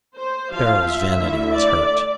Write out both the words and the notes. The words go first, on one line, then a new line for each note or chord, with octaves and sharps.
Beryl's vanity was hurt.
C5
F3 A#3 F4 F5
E5
D3 A3 E4
D5